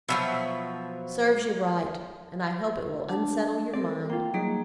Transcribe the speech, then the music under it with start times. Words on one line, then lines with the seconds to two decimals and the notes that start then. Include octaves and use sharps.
Serves you right; and I hope it will unsettle your mind.'
0.09 B2 F3 F#3 E5
3.09 D4 A5
3.74 C4 A4 A#4 D5
4.10 A#3 F4 G5
4.34 F#3 G3 A#3 D#4 G#4